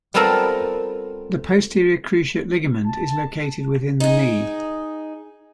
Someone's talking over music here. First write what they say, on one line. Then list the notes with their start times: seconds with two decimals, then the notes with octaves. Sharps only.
The posterior cruciate ligament is located within the knee.
0.14 G3 B3 C4 F4 A4 A#4
2.85 A5
4.00 D#4 G#4